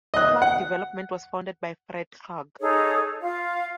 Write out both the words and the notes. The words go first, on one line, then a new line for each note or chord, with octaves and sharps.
Clark Development was founded by Fred Clark.
D#5 F#6
F#5
D#4 G#4 A4 C#5
F4 F5